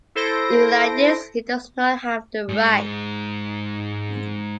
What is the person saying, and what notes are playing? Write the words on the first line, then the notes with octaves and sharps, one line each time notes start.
Even like this, he does not have the right.
E4 A4 C5 C6 A#6 D7
G#2 G#3